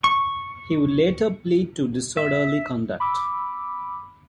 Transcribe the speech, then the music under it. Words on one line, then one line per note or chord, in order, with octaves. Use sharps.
He would later plead to disorderly conduct.
C#6
E5
B5 D6 E6